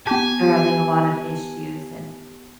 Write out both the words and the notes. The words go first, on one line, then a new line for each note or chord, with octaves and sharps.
they're having a lot of issues. And
B3 G4 G#5 A5